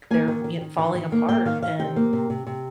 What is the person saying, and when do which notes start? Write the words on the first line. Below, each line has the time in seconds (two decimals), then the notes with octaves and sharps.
they're y falling apart, and
0.11 A#3 G#5
0.28 D#3
0.44 D#3
0.61 D#3
0.78 D#3
0.95 D#3
1.12 A#3
1.29 A#3 G5
1.45 D#3 F5
1.62 D#3 F5
1.79 C3 G5
1.96 A#3
2.13 C3
2.30 C3
2.47 C3